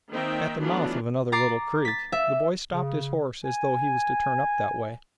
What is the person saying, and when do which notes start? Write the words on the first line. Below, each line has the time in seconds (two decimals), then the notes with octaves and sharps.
At the mouth of another little creek the boy stopped his horse as though he was to turn up that way.
0.11 D#3 A#3 C4 D#4 E5 G5
0.62 E3 F#3 A3 B3 D4 F4
1.32 A#5 D6 A6 C7
1.85 A6 B6
2.12 E5
2.72 C#3
3.45 G#5